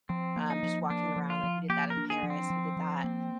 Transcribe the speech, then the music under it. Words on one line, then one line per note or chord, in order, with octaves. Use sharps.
um, just walking around, like, we did that in Paris, we did that,
F3 C4
A#3
D#4
F3
A#3 D4
F3
F4
F3
A#3 G4
A#4
D4
G#4
F3
C4
F3
F3
A#3